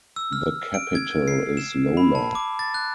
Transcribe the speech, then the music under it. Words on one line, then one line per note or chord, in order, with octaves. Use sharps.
The capital is Lola.
E6
F6
D7
G#6
C7
E7
B5
A5
D6
A6
F#6